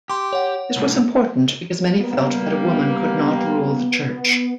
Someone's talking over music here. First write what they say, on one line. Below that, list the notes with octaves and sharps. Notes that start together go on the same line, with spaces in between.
This was important because many felt that a woman could not rule the church.
G4 C6 D6
C#5 F#5
C2 A2
G3 A#3 B3